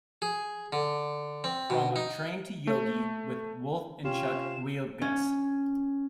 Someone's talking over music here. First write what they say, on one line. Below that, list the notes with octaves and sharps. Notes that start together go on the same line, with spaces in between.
"From A-Train to Yogi", with Wolff and Chuck Wielgus.
G#4
D3
C4
B2
D#4
A3
C3 C#4 F4 G4 E7
C#4